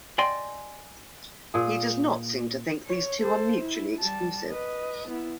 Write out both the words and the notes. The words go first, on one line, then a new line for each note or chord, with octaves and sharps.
He does not seem to think these two are mutually exclusive.
D5 D#5 G5 G#5 C6
A#2 G#4
C#5
A4 C5
E4
G3 A5
B4 D#5
B3 E4